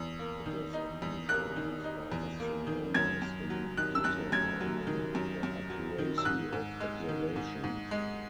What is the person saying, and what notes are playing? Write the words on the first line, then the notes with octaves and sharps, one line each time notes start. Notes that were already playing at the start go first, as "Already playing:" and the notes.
It is a measure used by astronomers in determining the accuracy of observations.
Already playing: E2
A#3
D#3
D#4
E2
A#3 F#6
D#3
D#4
E2
A#3
D#3
F#2 G#6
F#2
F#3
D#3 F#6
E6
F#2 F#6
F#2 G#6
F#3
D#3
F#2
F#2
F#3
D#3
E6
G#2 F#6
G#2
G#3
D#3
G#2
G#2
G#3